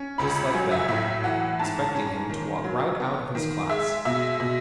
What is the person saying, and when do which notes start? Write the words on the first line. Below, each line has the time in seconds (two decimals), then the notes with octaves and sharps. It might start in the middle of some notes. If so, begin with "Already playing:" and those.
Just like that; expected him to walk right out of his class.
Already playing: C#4
0.18 C#2 B5
0.36 B5
0.54 F#3 G#5
0.71 E5
0.88 A2 E5
1.24 E3 F#5
1.59 G#2 A5
1.95 C#4
2.30 D#3
2.64 F#3
3.00 B3
3.35 D#3
3.69 G#3 E5
4.05 B2 E5
4.40 B2